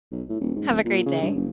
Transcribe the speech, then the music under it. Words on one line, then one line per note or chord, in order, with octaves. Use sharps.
Have a great day.
B1
A2
D#1
G#2
D1
A#2
C#3
G2
F#1